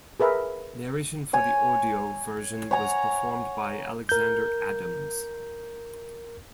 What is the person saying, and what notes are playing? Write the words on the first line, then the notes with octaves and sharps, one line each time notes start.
Narration for the audio version was performed by Alexander Adams.
G#4 A#4 B4 E5
C#5 G#5
C#5 F#5 G#5 A#5
A#4 G6